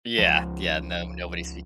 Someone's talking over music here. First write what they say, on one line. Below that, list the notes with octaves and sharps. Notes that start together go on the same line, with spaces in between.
Yeah, yeah, no, nobody speaks
C#2 F3